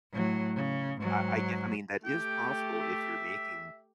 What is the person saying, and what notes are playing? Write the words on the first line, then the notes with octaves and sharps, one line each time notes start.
I I get I mean, that is possible if you're making
A2 F#3
C#3
G#2 F#3
A3 G4 G5
E5